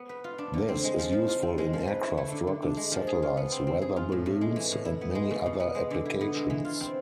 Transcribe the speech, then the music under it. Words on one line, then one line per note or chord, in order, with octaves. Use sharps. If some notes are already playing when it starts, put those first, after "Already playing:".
This is useful in aircraft, rockets, satellites, weather balloons, and many other applications.
Already playing: B3
B4
F4
D4
D3
C4
G#3
F3
F3
F4
C4
G#3
F3
B4
E4
A3
D3
D3
D4
G#3
F3
G#4
F4
B3
C4
C4
G#4
F4
A2
A2
G#3
E3
A2
E4
B3
G#3
B2
B2
B3
G#3
D3
E4
B3
G#3
E3
F4
C4